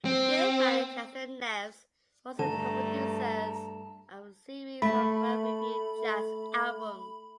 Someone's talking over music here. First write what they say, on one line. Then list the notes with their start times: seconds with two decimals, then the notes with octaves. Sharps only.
Goodman and Castro-Neves were also co-producers of a series of well-reviewed jazz albums.
0.05 C4
2.39 G2 D3 A3 A5 A#5 E7
4.82 A3 B5